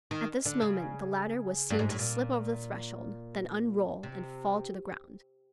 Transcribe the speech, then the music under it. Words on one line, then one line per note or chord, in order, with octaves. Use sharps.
At this moment the ladder was seen to slip over the threshold, then unroll and fall to the ground.
D#3
D3
C#3
G2
G#2
A2
A#2
C3